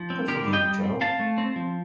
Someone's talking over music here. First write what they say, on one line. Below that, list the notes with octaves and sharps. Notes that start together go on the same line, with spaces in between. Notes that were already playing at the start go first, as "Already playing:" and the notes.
Good for you, Jo!
Already playing: F3
C4
D3 G4 A#4
G3
D#5 G5
G3
C4
C4 F5 A5
A3
C4
F3